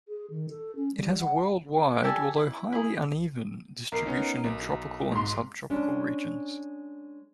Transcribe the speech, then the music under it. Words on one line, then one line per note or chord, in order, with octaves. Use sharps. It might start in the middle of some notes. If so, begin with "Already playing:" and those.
It has a worldwide, although highly uneven, distribution in tropical and subtropical regions.
G#4
D#3
A4
C#4
G3
F#5
G4 A4 D5 G#5
E4
E4 G#4
B1 A#4 C7
B3 C#4 D#4
B1
G#2 C6
G#3 C#4 D4